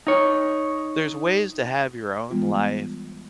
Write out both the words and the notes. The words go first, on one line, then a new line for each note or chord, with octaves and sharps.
there's ways to have your own life
D#4 C#5
E3 G3 G#3 B3 F4